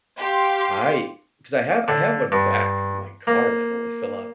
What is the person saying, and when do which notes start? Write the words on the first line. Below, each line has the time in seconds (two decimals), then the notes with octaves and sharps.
I 'cause I have I have one in the back of my car that I normally fill up,
0.18 G4 F5 C6
1.88 D3
2.32 G2
3.27 A#3